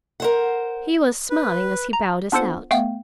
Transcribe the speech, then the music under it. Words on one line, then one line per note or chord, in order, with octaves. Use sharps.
He was smiling as he bowed us out.
A#4 C5 F#5
B4
A#5
B3 D4 F4 A4 C5 F#5
A3 B3 F5 G5